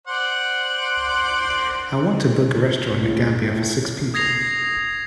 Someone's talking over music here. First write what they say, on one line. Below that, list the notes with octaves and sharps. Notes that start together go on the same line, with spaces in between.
I want to book a restaurant in Gambia for six people.
C5 D5 F#5
C#2
A2
D#6 G#6 A#6 C7 F7